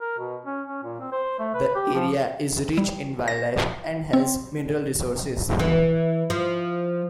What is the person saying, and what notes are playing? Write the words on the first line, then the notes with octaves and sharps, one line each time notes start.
The area is rich in wildlife and has mineral resources.
A#4
B2
C#4
C#4
A#2
C4
C5
A3
B4
G4
F3
G3
A#6
C4
E3
F3